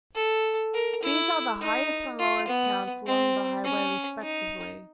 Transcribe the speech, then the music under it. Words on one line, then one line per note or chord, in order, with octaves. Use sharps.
These are the highest and lowest counts along the highway, respectively.
A4
A#4
E4
D#4
F4
B3
C4
C#4
D#4